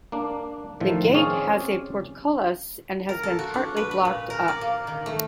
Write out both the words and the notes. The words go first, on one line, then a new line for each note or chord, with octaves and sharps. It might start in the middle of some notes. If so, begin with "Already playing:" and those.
The gate has a portcullis and has been partly blocked up.
A#3 D4
A2 D#3 F3
C4 C#4 G#4 C#5 D5 F5
A#4
A4
F#4
D4
B4
B4
A#2
A#4
D5
A#3
D#3
A3